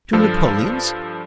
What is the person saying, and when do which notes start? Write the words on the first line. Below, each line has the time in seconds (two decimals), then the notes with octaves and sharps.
"Two napoleons."
0.13 G2 F3 A4